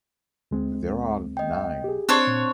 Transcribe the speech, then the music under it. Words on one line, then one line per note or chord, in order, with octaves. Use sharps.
There are nine.
D2 G#3 C4
D#5 G5
G4 G#4
C4 D4 C5 C#5
A#2